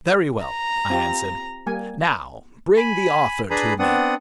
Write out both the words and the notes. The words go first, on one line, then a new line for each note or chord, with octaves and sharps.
"Very well," I answered; "now bring the author to me."
A#5
C4 F4 G4
G3 A#3 G#5
G#5 B5
D4 G#4 B4 G#5 A#5 B5
B3 C4 D4 F#5 D#6